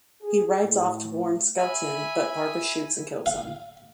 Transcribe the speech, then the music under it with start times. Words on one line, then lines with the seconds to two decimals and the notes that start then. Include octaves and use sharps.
He rides off to warn Skelton, but Barbara shoots and kills him.
0.21 G#4
0.62 A2
1.57 E5 G#5 B5
3.26 F5